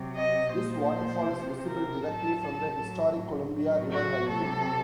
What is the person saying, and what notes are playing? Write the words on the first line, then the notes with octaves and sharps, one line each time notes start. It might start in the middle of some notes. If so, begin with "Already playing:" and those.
This waterfall is visible directly from the Historic Columbia River Highway.
Already playing: C3 F#3
D#5
A#2 F3 C5
C3 F3
A#4
A2 F#3 A4
A4
A2 F#3
A2 F#3
F#4
C3 F#3 A4